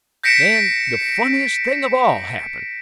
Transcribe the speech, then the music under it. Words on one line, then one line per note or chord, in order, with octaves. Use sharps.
Then the funniest thing of all happened.
G6 A#6 B6 C#7 D7 E7